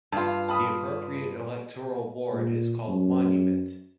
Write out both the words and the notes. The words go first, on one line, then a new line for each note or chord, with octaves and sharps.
The appropriate electoral ward is called 'Monument'.
G2 F4 A5
A5 B5 D#6
A#2
F#2